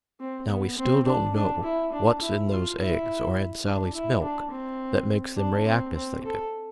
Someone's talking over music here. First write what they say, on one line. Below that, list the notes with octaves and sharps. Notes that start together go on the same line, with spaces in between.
Now we still don't know what's in those eggs or in Sally's milk that make them react as they do.
C4
B3
C4
D4
D4
E4
D4
E4
F4
E4
D4
E4
D4
C4
D4
C4
C4
A4